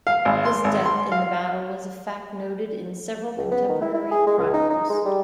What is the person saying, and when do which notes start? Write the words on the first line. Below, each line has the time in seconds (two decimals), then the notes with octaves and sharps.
His death in the battle was a fact noted in several contemporary chronicles.
0.07 F5
0.25 G#1
0.45 C6
0.64 G#1
0.86 C6
1.12 F5
3.37 C#2
3.51 B3
3.69 D#3
3.82 E4
3.94 E4
4.11 G#4
4.27 G#3
4.38 C#2
4.53 D#4
4.70 D#4
4.90 G#3
5.06 G3